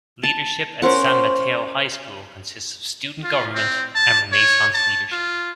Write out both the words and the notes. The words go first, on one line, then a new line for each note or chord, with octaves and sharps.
Leadership at San Mateo High School consists of Student Government and Renaissance Leadership.
A5
C#4 A#4 C5 F#5
F4
C4
A5
C#5
A5
F4